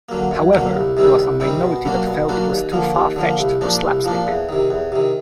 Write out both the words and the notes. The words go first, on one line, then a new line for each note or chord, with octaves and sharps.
However, there was a minority that felt it was too far-fetched or slapstick.
D3 F#3 A#3
F#2
D3 F#3 A#3
C2
C3 D#3 G3 C4
C2
C3 D#3 G3 C4
B2
F#3 A#3 D4 F#4
B2
F#3 A#3 D4 F#4
D#2
D3 F3 A#3
D#2
D3 F3 A#3
C2
A#2 F3 A#3 D4
C2
A#2 F3 A#3 D4
E2
C3 D#3
E2
C3 D#3